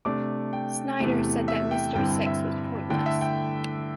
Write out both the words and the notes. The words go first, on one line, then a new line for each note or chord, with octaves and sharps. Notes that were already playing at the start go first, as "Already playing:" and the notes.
Snyder said that Mr. Six was pointless.
C3 A3 D4 D6
G5
E2 C3 A3
E5
G5
G2 D3 C4 E4 G5
G5
E5
D3 A3 E4 G5
E5
G5